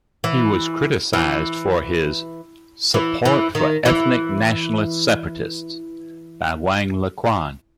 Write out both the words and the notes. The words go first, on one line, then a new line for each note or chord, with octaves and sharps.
He was criticized for his "support for ethnic nationalist separatists" by Wang Lequan.
E3
E3
E3
E3
D#3
E3